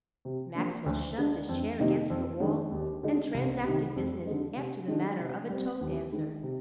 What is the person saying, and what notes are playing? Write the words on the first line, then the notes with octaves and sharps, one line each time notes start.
Maxwell shoved his chair against the wall and transacted business after the manner of a toe dancer.
C3
F3 A#3 D4
D2
D3 G#3 D4
F2
C3 D#3 A#3 D#4
F2
D#3 G#3 D4
D#2
D3 G#3 D#4
C2
C3 D#3
F2
D3 G#3 D#4
C3
D#3 G#3 D4
C3
G3 C4
D#2
D#3 G#3
C3